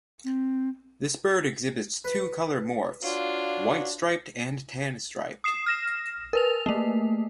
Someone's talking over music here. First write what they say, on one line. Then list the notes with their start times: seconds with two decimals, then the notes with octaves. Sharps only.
This bird exhibits two color morphs - white striped and tan striped.
0.24 C4
2.05 B4
3.03 D4 F4 F#4 C#5 F5
5.44 D#6 C7 E7
5.66 F6 A#6 E7
6.33 A#4 B4 F7
6.66 A3 A#3